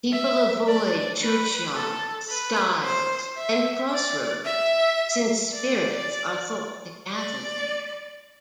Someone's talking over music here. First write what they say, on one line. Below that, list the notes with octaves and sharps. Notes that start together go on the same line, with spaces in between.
People avoid churchyards, stiles, and crossroads, since spirits are thought to gather there.
E5
D5
B4
A4
B4
C5
E5
D5
E5
D5
D5